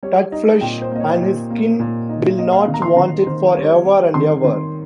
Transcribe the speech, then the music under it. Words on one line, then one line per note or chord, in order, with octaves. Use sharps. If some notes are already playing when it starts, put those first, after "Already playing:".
Tudfwlch and his kin will not want it for ever and ever.
G3 C#5
D#4
A#2 G5
C5
A#3 D#5
C#5
A#2
A#3
A#2
D#4
A#3 D#5
F5
D#3
A#5
C6
D#3 A#5
D#3 C5
G3 C#5
G3
D#3 C6
D#3